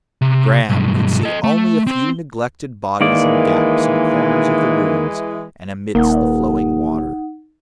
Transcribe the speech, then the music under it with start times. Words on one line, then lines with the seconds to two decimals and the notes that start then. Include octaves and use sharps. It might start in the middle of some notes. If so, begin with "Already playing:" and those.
Graham could see only a few neglected bodies in gaps and corners of the ruins, and amidst the flowing water.
0.21 C3
0.70 B1 G2
1.23 A4 D#5
1.44 A3
1.87 C4 C5
3.01 D#3 E3 G#3 A#3 D5
5.95 D#1 A#3 D#4 F#5